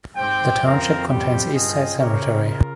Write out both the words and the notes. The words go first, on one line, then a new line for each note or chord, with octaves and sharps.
The township contains East Side Cemetery.
G#2 C4 G4 C5 G5
F2 C4 F4 A#4
G3 C4 G4
G2 F4 G#4 D#5 G5
C#3 C4 G4 A#4 C#5
F4 A#4